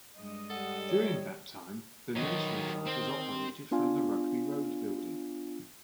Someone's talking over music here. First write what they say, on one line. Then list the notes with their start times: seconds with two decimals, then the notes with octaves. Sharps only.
During that time the nursery classes operated from the Rugby Road building.
0.17 G2 G#3 D#5
0.50 G3 A4 F#5
0.88 C#5
2.15 D#3 F#3 D#5
2.87 C4
3.71 B3 D4 F4 G#5